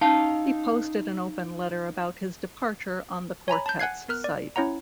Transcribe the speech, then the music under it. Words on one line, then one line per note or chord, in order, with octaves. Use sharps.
He posted an open letter about his departure on the quartet's site.
C#4 D#4 F5 A5
C#5 G#5 A#5 B5
A5 G6
F#5 G#5 F#6 G#6 C7
B3 A#4 F6 F#6
D5
C#4 E4 C#5 F#5 A#5